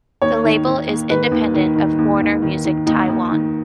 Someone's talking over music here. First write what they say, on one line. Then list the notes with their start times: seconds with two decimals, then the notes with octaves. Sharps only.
The label is independent of Warner Music Taiwan.
0.22 D#2 C#5
0.44 D#3
0.66 D#3
0.88 D#2
1.10 D#3 B4
1.32 D#2
1.54 D#3
1.76 D#3
1.98 D#2
2.21 D#2
2.42 D#3
2.65 D#3
2.86 D#2 D#4
3.09 D#2
3.30 D#3